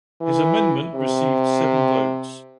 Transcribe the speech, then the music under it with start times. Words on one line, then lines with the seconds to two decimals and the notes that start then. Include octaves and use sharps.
His amendment received seven votes.
0.21 E3
0.95 C3